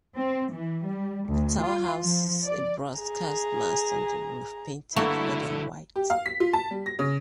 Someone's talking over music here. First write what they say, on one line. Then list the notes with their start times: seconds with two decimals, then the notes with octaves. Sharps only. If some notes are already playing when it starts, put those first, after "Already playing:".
The tower houses a broadcast mast on the roof, painted red and white.
0.17 C4
0.54 E3
0.86 G3
1.29 D2
1.61 F4
2.03 F3
2.46 D5
2.98 G#4 A#5
4.96 G2 D3 A3 A#3 E4 F#4 A4 C#6
5.96 G4
6.10 F5
6.26 B6
6.40 F4
6.53 A5
6.71 G3
6.86 A#6
6.99 C#3